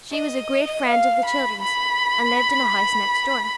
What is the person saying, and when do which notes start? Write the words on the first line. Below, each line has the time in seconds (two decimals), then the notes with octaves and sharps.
She was a great friend of the children's, and lived in a house next door.
0.12 D#5
0.87 F5
1.25 B5
1.62 B5